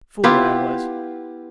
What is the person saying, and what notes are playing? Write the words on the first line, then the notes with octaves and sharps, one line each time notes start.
Fool that I was!
B3 E4 F4 G4